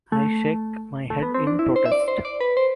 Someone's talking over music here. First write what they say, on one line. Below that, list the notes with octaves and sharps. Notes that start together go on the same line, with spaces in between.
I shake my head in protest.
A3
A3
B3
C4
D4
E4
C5
E5
D5
C5
D5
B4
C5